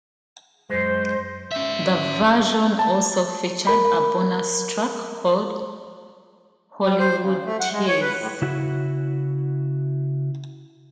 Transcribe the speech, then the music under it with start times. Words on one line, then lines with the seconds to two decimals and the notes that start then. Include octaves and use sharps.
This version also featured a bonus track called "Hollywood Teaze".
0.70 F#2 G#3 C5
1.52 C#4 E5
2.79 A5
3.67 A#4 B5
6.83 G3
6.99 C5
7.22 C#3
7.45 A3
7.60 F#5
7.72 G#3
7.88 C#5
8.01 B4
8.18 A2
8.42 C#3 E4 F#4